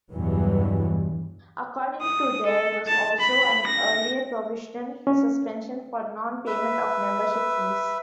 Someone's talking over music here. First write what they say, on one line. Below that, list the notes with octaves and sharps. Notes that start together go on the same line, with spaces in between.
According to there was also an earlier provisional suspension for non-payment of membership fees.
E2 G2 B2 E3 F#3 G3
D#6
A4
A5
B5
A#6
C#4
B4 E5